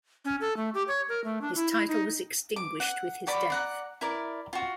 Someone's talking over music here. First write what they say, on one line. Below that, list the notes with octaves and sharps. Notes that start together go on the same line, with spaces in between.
His title was extinguished with his death.
C#4
A4
A3
G4
C#5
A#4
A3
D4
E4
E4
D#4
D6
F#5
F#4 D5 B5 D6
D5 F#5 A#5
E4 A#4 D5
F4 F#4